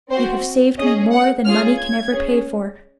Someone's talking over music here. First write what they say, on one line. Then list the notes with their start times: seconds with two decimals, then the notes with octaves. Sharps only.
You have saved me more than money can ever pay for.
0.11 C4 F#4 C5
0.78 C#4 G#4 D#5
1.12 F#5
1.45 C#4 F4 G#4 F6
1.79 G#6
2.11 C#4 G#4